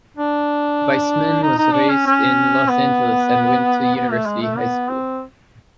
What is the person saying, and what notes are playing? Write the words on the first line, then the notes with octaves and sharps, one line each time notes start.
Weissman was raised in Los Angeles and went to University High School.
D4
D#4
D#4
D4
C#4
C#4
B3
B3
A3
G#3
A3
B3
C4